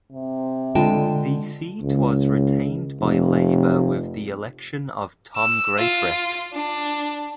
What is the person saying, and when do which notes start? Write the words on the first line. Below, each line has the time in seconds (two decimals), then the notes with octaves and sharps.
The seat was retained by Labour with the election of Tom Greatrex.
0.13 C3
0.75 D3 G#3 F4 G5 A5
1.82 C#2
3.00 F1
5.37 E6
5.79 F4
6.53 D4